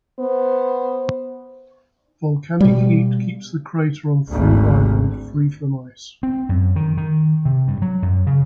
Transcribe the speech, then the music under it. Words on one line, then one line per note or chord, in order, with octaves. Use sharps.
Volcanic heat keeps the crater on Thule Island free from ice.
B3 C5
B2 G3
G#1 D2
C4
F#2
D#3
D#3
C3
G2
F#3
F#2
C#3